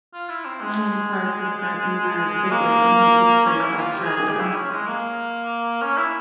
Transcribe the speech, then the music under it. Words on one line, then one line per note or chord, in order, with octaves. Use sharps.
Manning Clark described Niemeyer's visit in his history of Australia.
F4
E4
C4
G#3
A#3
C#4
E4
F4
G4
G#4
G#4
G4
E4
C#4
G#3
A#3
C#4
E4